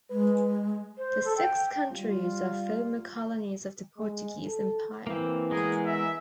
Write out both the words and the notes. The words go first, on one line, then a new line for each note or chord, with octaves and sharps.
The six countries are former colonies of the Portuguese Empire.
G#3 B4
C5
A4
G5
G3 F4
G#3
A4
E3 A#3 C4
G#3 B3 G#4 A#4
E5